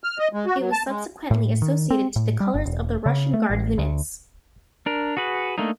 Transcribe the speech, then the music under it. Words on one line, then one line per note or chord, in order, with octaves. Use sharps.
It was subsequently associated to the colors of the Russian Guard units.
F6
D#5
G#3
F#4
F#3
A5
G#3
A2
D#3
C4
A2
G3
G1
E1
C#3
A3
A1
D2
D4 A#4
F#4 G#4 B4
A3 A#3 D4 D#4